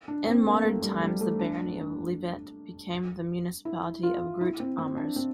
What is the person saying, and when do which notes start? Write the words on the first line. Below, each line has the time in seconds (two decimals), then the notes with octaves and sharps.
In modern times the barony of Liesvelt became the municipality of Groot-Ammers.
0.08 D4
0.27 C4
0.47 A#3
0.65 A3
0.84 G3
1.03 G3
1.21 A3
1.39 D4
1.78 D4
3.65 E4
4.03 F4
4.41 E4
4.60 C4
4.78 C4
4.97 D4
5.16 C4